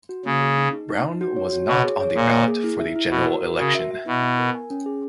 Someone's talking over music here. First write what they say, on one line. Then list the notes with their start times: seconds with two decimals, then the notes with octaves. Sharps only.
Brown was not on the ballot for the general election.
0.09 F#4
0.25 C#3 A#3
0.41 G#4
0.57 D#4
0.73 D#4
0.89 D#4
1.05 D#4
1.21 F#4
1.36 C#5
1.53 F#4
1.68 B2 C#5
1.84 G#4
2.00 C#5
2.16 A#2 A#3
2.32 A#3
2.48 G#4
2.64 E4
2.79 E5
2.96 E4
3.11 B2 F#4
3.27 A#4
3.43 A#4
3.59 C#3 F#4
3.75 E5
3.91 E5
4.06 B2 E4
4.23 B3
4.39 A#4
4.55 G#5
4.70 C#4
4.86 G#4